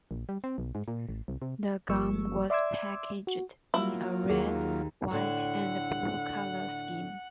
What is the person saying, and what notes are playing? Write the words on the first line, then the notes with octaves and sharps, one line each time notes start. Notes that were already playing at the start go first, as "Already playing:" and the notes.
The gum was packaged in a red, white, and blue color scheme.
A#1
G3
C4
B1
G#2
A#2
A1
C2
C3
G1 F3 G3 A#3 C#6 E6
D5 E5 C6 D6 E6 G#6
F#4
F#3 A#3 E4 F4
D#2 G#4
A2 D3 E4 F#5